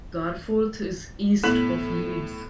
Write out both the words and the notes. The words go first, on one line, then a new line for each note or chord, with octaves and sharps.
Garforth is east of Leeds.
A2 B3 B6 F#7